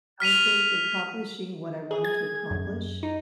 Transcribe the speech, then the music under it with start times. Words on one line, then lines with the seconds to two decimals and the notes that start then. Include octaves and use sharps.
I think accomplishing what I wanted to accomplish
0.20 F6 B6 D#7 F7
1.91 G#4
2.04 G#6
2.50 F#2
3.03 D#4